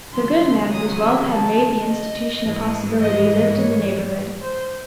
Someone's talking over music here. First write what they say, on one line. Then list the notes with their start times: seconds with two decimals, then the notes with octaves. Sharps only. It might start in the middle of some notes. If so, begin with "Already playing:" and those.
The good man whose wealth had made the institution a possibility lived in the neighborhood.
0.12 D#2 C#3 F#3 C6
0.70 D#6
0.98 E6
1.27 A5
1.84 D#5
2.41 G#2 E3 G#3
2.99 D#5
3.56 C#5
4.41 C5